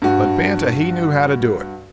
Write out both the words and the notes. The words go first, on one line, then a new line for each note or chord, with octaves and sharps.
But Banta he knew how to do it.
G2 F#4